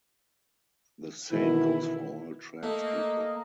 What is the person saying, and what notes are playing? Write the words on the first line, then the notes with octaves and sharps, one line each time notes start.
The same goes for all trans people.
B2 D#3 E3 E4
A3 A#3 D#5